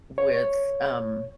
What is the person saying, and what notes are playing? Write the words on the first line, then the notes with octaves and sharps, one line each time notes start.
with, um,
C#5